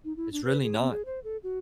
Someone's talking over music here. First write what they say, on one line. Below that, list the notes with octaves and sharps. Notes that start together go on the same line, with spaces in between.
it's really not.
D#4
E4
D4
B4
G#4
B3
G#4
C5
A4
F#4